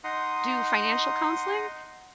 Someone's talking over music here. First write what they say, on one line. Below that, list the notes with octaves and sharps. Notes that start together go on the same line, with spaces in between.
do financial counseling,
D#4 F#5 A#5 C6 D#6